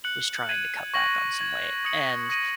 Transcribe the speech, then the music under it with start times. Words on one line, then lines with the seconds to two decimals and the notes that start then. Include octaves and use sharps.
was trying to cut back on some weight, and,
0.04 F#6 C#7 F#7
0.49 G#6 D#7 F#7
0.94 C#6 A#6 F#7
1.39 G#6 F#7
1.85 D#6 G#6 C#7 F#7
2.29 D#6 A#6 D#7